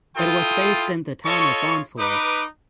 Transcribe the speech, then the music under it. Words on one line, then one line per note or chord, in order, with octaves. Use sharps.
It was based in the town of Onslow.
E4 F4 A4 G5 C6 D#6
F4 A4 C#5 D#5 C#6
D#4 B4 D6